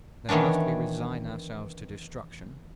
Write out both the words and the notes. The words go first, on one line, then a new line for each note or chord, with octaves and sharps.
"Then must we resign ourselves to destruction?"
D#3 E3 B3 C#4 D4